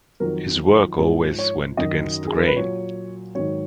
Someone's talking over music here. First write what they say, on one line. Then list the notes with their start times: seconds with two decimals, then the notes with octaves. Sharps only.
His work always went against the grain.
0.20 F2 D#3 F#3 A#4
0.99 G#2 F3 G#4
1.39 C#5
1.77 F#2 D#3 F#3 D#5
2.27 G#4
2.37 A#4
2.47 B4
2.56 A#2 F#3 C#5
3.35 G#2 D#3 F#3 C#5